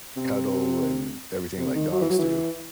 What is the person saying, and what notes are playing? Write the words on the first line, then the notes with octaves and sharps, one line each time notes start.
cuddle, and everything like dogs do.
C3
C3
D#3
F#3
E3
F#3
E3